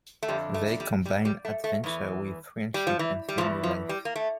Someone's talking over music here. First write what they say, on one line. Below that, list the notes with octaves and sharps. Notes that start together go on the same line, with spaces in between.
They combine adventure with friendship and family life.
A3
F2 D3 G3
A3
G3
G3
G3
A3
A3
E2 E3
G3
F3
E3
G3
E2 E3 F3
F3
G3
A#3
A3